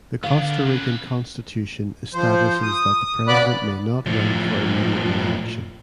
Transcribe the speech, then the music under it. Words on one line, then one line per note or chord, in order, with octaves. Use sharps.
The Costa Rican Constitution establishes that the President may not run for immediate reelection.
D3 B3 D4 F5
C3 C#4 B4
F3 C5
D#6
C#3 B3 D5 B5 D6 F#6
A2 F3